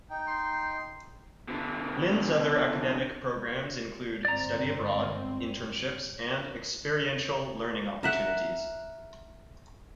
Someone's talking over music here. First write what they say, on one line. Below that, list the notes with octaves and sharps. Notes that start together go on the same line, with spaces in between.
Lynn's other academic programs include study abroad, internships and experiential learning opportunities.
D#4 G5
C6
B2 D3
G1 G#2 C4 D5 A#5
A#4 E5 F#5